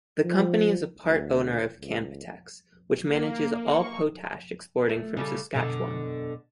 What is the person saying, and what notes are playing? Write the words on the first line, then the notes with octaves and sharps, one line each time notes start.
The company is a part-owner of Canpotex, which manages all potash exporting from Saskatchewan.
F3
D2
C#2
A#3
C#6
A3
C#3 G3 A3
F#2 B2 D3